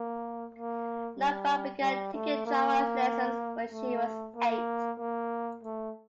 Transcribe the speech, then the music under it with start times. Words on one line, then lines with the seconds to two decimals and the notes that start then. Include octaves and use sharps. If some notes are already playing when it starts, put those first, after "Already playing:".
Lombard began taking drama lessons when she was eight.
Already playing: A#3
0.55 A#3
1.17 G3
1.81 G3
2.13 A3
2.46 A#3
3.72 A3
4.36 A#3
4.99 A#3
5.63 A3